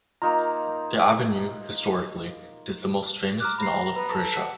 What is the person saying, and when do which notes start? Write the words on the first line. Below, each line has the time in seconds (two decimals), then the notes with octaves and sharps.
The avenue, historically, is the most famous in all of Persia.
0.22 A#3 D#4 F4 A#5
3.40 A#5 D6 F6 F#6
3.58 A#5 B5 C7
3.96 B3 B4
4.11 A4
4.36 F#5